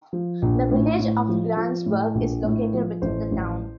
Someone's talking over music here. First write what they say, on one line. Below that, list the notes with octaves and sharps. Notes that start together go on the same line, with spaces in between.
The village of Grantsburg is located within the town.
F3
A#1
A2
A2
F3
F3
A2
A#1
A2
F3
A1 C5
A1